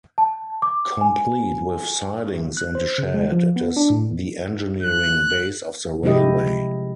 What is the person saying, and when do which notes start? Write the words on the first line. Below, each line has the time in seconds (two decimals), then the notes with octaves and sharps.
Complete with sidings and a shed, it is the engineering base of the railway.
0.18 A5
0.62 D6
1.01 G#5
2.57 F#6
2.75 C5
2.98 C#3
3.14 G#3
3.31 F3
3.56 B3
3.77 D4
3.90 A2
4.83 F#6
6.03 C3 F3 G#3 E4 G4 D#5